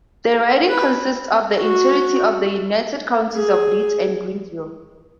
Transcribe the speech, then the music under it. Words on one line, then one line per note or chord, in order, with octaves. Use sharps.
The riding consists of the entirety of the United Counties of Leeds and Grenville.
B4
F#4
G#4